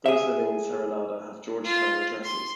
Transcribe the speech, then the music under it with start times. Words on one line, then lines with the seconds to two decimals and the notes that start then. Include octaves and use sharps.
Those living in Serenada have Georgetown addresses.
0.06 G#4 E5
1.65 F4
2.24 C6